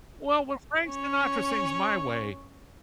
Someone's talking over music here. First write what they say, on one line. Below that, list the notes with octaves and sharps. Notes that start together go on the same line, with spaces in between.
Well, when Frank Sinatra sings "My Way,"
C#4 C#5